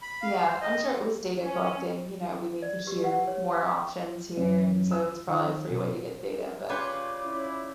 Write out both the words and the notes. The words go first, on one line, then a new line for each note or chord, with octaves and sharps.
Yeah, I'm sure it was data collecting. You know, we need to hear more options here, and so, it was probably a free way to get data, but,
B5
F5
C5
D#5
C#4
D5
G4
F#5
C#5
F5
F#2
E6
D#3
B2
C#3 F4 G4 B4 C#5 D5 C6
C#4 E4